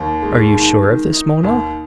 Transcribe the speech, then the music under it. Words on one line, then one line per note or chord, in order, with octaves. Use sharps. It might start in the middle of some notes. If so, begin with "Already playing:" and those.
"Are you sure of this, Mona?"
Already playing: D#2 D#3
G#3
D#3
D#3
D#4
D#2